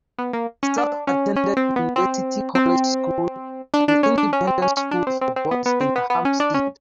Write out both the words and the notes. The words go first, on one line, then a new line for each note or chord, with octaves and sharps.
Self attended University College School, an independent school for boys in Hampstead.
B3
A#3
C#4
D4
C#4
C#4
C4
B3
C4
C4
D4
D4
C#4
D4
C#4
C4
C#4
C#4
D4
C4
C4
C4
B3
B3
C4
B3
B3
C#4
D4
C#4